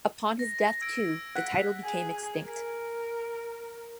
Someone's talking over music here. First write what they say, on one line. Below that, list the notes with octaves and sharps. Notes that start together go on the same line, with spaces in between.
Upon his death, too, the title became extinct.
A#6
E6 G#6 D7
F#5 F#6 G#6 B6
G#4
A#4